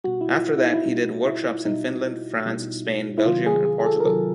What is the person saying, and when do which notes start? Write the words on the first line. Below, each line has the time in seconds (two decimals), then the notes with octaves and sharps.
After that he did workshops in Finland, France, Spain, Belgium, and Portugal.
0.04 B2 G3 F#4
0.21 E4
0.31 F4
0.58 E4
0.66 D#4
0.74 E4
0.85 B2 G3 D#4
1.25 E4
1.65 B2 G3 D#4
2.45 B2 G3
3.18 E4
3.25 C3 D#3 F#3 F4
3.46 G#4
3.65 G#4
3.80 G#4
3.86 A4
4.00 A#4
4.05 C3 D#3 F#3 A4